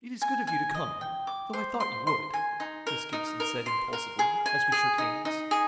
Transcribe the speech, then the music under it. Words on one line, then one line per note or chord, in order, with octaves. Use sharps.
"It is good of you to come--though I thought you would," Miss Gibson said impulsively, as we shook hands.
G#5
G#5
D#5
G5
D6
C5
C6
C6
G#5
D#4
A#4
D#4
A#4
C6
A#4
G#4
G#5
G#4
D#4
D#4
G#4